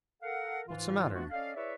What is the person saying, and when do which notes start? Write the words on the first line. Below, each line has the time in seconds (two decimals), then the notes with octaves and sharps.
"What's the matter?"
0.22 A4 A#4 F5 F#5
0.67 G#2 E3 F4
1.14 E3 A3 B3 D4 F4 F#4
1.31 C#4 A4 D5 D#5 F5
1.55 E4 G#4 B4 C#5 D5 E5